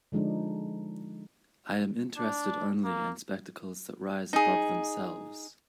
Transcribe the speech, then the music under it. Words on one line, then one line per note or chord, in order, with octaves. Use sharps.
I am interested only in spectacles that rise above themselves.
D3 F3 G#3 D4 D#4
D4
A#3
D#4 G#4